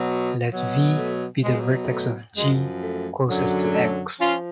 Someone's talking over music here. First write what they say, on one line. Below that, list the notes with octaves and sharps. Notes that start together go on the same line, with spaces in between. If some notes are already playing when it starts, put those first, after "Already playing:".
Let "v" be the vertex of "G" closest to "x".
Already playing: B2 F#3
B2 F#3
A3
B2 F#3 G#3
A3
F#2 F3 G#3
A3
F#2 D3 F#3
A3
F3 C#4 F4